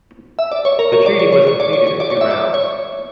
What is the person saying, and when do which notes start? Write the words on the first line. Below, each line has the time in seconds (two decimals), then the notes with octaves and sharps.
The Treaty was completed in two rounds.
0.39 E5
0.52 D5
0.65 C#5
0.79 A#4
0.93 C#5
1.06 D5
1.19 C#5
1.32 C#5
1.47 C#5
1.60 D5
1.73 C#5
1.87 C#5
2.00 D5
2.10 C#5
2.21 E5
2.31 D5
2.54 C#5